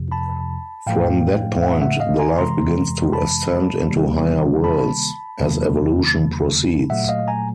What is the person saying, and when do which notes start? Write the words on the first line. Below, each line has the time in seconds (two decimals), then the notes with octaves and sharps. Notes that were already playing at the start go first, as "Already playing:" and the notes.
From that point the life begins to ascend into higher Worlds, as evolution proceeds.
Already playing: F2 C3 F3
0.12 A5 B5
0.87 A2 F3 A3 F5 G5
1.63 E5 F#5
1.81 E5 F#5
2.00 D#5 F5
2.19 G#5 A#5
2.38 F2 C3 E3 G#3 A#5 C6
3.13 A5 B5
3.88 C3 D#3 G3 A#3
4.64 A5 B5
5.40 E2 C3 D#3 F#3 A#3
6.90 A#2 F#3 A3 E5 F#5
7.08 D#5 F5
7.28 G#5 A#5